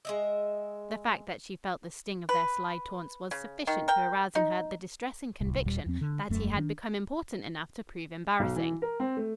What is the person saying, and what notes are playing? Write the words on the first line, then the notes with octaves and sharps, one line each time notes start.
The fact that she felt the sting of their sly taunts was sufficient to arouse in her the distressing conviction that he had become important enough to prove embarrassing.
G#3 D#5 E5
B4
C#3
D#3
A#4 G5
D#4
D1 C2
D#1 D#2 A#2 G3
E2 F3 C4
D3
E1 F#2 A3
D#3 C4 D4
B1
E3
A#4
C4
A3